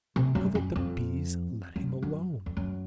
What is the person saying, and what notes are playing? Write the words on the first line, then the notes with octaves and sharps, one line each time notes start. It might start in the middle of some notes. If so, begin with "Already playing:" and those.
So that the bees let him alone!
C3
F#2
F#2
F2
F#2
F#2
F2
F#2